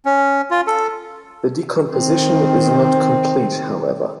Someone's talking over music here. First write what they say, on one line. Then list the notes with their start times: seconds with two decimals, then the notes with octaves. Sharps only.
The decomposition is not complete, however.
0.05 C#4
0.51 F4
0.67 A4
1.90 D#3 C4